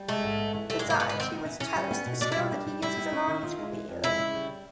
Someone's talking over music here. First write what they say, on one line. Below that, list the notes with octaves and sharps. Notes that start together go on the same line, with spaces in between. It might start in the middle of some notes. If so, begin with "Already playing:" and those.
Besides, he was cellist, a skill that he uses along his career.
Already playing: G3
G#3 A3
G#2
B3
E3
G3 A3
G#3
G#2
A#3
G#2 B3
B3
D#3 C4
B3
E3
E3 C#4
G3
B3
B2
B2 D4
E4
G3
D4
G3
G3 E4
B3
C#4
D#3
F4
G#3
E3
F2
G#3 E4
C#3
G3